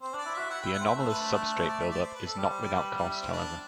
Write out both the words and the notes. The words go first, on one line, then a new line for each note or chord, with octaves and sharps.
The anomalous substrate buildup is not without cost, however.
C4 C5
D4
D5
E4
F#4 E5
E4 F#5
E4 G5
F#5
C4 E5
A3 C5
B4
D4
D4
D4
C5
D5
E5
D5
C5
B4
A4
G3 A4
C5
D5
B4
D4
E4
C4
D4